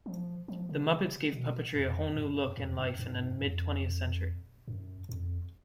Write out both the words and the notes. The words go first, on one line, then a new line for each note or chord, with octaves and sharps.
The Muppets gave puppetry a whole new look and life in the mid-twentieth century.
F3
F3
C#3
B2
F2
F#2
F2
F#2
F#2
G#2
F#2
G#2
F#2
F2
F#2
F2